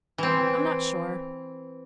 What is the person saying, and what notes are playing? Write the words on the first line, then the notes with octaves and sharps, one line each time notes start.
I'm not sure.
E3 C4